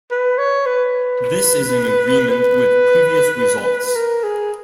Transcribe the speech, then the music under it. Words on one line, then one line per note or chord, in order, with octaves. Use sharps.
This is in agreement with previous results.
B4
C#5
B4
B4
A#4
G#4